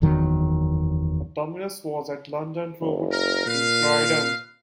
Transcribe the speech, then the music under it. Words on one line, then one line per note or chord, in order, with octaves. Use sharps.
The terminus was at London Road in Croydon.
F#1 E2 D#3 F#3
F#1
A#4
A#2 B4 F5